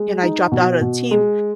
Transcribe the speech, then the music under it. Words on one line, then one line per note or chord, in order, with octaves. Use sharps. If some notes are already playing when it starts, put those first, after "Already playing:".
and I dropped out of the team,
Already playing: G#3
D#4
B2
B2
G#3